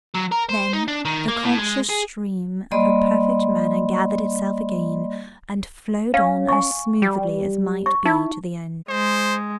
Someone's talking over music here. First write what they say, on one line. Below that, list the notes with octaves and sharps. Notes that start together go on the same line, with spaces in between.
Then the conscious stream of her perfect manner gathered itself again and flowed on as smoothly as might be to the end.
F#3
A#4
C5
D#4
D4
D#3
A#3
A2
G#3
G#4
G3 A#3 D5 D#5 B5 C6
C#4 F5
G#5 C#6
G3
C#6
D#4 E4
G#3 C5